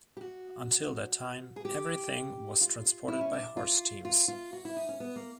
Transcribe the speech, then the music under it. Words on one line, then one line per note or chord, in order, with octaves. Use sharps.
Until that time, everything was transported by horse teams.
G4
F#4
G#4
G4
F4
E4
C#4
D4
F4
F4
F4
F#4
E4
D#4
C#4
B3
A#3